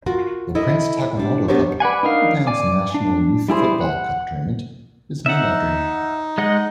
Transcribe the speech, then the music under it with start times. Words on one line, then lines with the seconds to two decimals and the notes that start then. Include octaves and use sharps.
The Prince Takamado Cup, Japan's national youth football cup tournament, is named after him.
0.06 F4 F#4 A#4
0.55 E4 A4 A#4 D#5
1.17 G3 D4 G4
1.48 B3 D4 G4 A#4 C5 C#5
1.80 B4 D5 F#5 G#5
2.03 D4 D#4 A#4 F5
2.47 D5 G#5 D6
2.94 D4
3.48 G3 E4 G#4 C5
3.81 F#5
5.26 D#4 E5 F#5
6.38 G#3 D#5 F#5